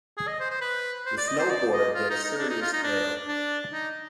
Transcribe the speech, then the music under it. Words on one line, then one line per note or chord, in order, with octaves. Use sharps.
The snowboarder gets serious air.
G#4
D#5
C5
C5
B4
C5
D5
D#5
C5
D5
D#5
F4
D#4
D#4
D4
D#4
F4
D#4
D4
D4
D#4